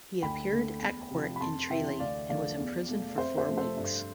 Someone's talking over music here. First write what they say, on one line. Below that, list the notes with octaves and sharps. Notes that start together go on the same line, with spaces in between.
He appeared at court in Tralee and was imprisoned for four weeks.
D2 G5 B5
D3 A3
E2
C3 F3
B5
F2 A5 C6
C3 E3 E5 G5
D2 D5 F5
D3 F3 A3 D5 F5
E2
B2 A3
F2 C5 E5
C5 E5
C3 F3 A3
A4 C5
G2